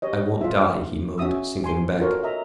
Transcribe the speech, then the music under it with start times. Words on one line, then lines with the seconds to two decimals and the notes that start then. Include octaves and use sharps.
"I won't die," he moaned, sinking back.
0.02 G4 C#5 D#5
0.41 F4 E5
1.18 C#4 F#4 E5 D#6 E6
1.64 G#5 C6
2.00 F4 F#4 A4 A#4 C#5
2.23 D#5 E5 A#5